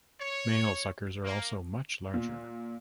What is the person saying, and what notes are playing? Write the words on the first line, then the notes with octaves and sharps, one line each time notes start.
Males suckers are also much larger.
C#5
A#3
A#2